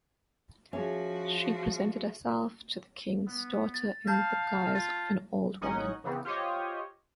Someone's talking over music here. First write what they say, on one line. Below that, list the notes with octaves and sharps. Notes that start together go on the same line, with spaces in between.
She presented herself to the king's daughters in the guise of an old woman.
F3 C#4 F#4 G#4 E5
B3
A6
F5 A5 G6 A#6
F4
A1 C#4 D#4 D#5 F#5 G#5
C#3 E3 B3 C4
F4 G4 C5 C#5 D#5